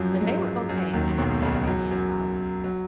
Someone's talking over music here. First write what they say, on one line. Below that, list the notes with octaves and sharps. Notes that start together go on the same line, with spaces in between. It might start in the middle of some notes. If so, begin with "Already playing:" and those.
But they were okay, I haven't had any in about,
Already playing: F#2 F3 F#3
F#3
G#2 G#3
F#2 F#3
D#2 D#3
B1 B2
C#2 C#3
F#2 F#3
F#2 F#3
F#3